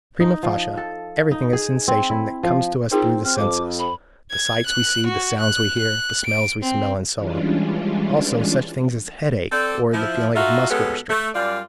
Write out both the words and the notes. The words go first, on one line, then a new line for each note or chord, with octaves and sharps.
Prima facie, everything is sensation that comes to us through the senses: the sights we see, the sounds we hear, the smells we smell, and so on; also such things as headache or the feeling of muscular strain.
D#4
F3
A4
D#4
G#4
C4
E4
F3
C4 D#4 F4 G#4 A#4
C4 F6
F2 D6
B5
G#6
F#6
F#4
F#6
F#6
D7
C4
E3 G3 G#3 C#4 D4 F4
C4 A4 D5
F3 E4
D#4 F4 F#4 A4 E5 F5
B2 G#3 B3 C#4 G4 A4
A3
F#2 G3 F4 D5